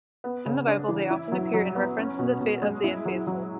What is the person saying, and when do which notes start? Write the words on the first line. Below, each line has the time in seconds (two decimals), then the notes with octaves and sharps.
In the Bible, they often appear in reference to the fate of the unfaithful.
0.24 B3
0.45 C#3
0.67 D4
0.88 E3
1.11 E4
1.32 F#3
1.54 F#3
1.75 B3
1.97 C#4
2.19 B2
2.40 B2
2.62 G#3
2.84 E4
3.05 F#3
3.27 F#3